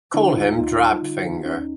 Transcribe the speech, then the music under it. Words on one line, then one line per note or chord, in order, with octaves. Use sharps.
Call him Drabfinger.
D3 D4 E4
D#2 D#4 F4
D#2 D#4 F4
G3
D3
D#2
D#2 C#4 D#4